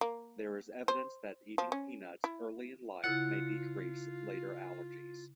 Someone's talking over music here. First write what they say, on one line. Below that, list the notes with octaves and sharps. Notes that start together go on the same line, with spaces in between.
There is evidence that eating peanuts early in life may decrease later allergies.
A#3
C5
F3
C#4
E4
C#3 E4 F4 F#5 A6